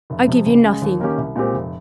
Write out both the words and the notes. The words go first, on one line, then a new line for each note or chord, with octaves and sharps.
I give you nothing.
F1
F2 C3
C#2
C#3 G#3
D#2
D#3 A#3 C#4 G4
C2
A#2 G#3 C4 G4
F1